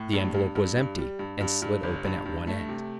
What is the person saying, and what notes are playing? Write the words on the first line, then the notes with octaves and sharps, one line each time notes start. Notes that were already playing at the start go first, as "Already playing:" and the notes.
The envelope was empty, and slit open at one end.
Already playing: A2
G2
G2
G2
G2
G3
G2
G2
G2
G1
G2
G2
A3
C3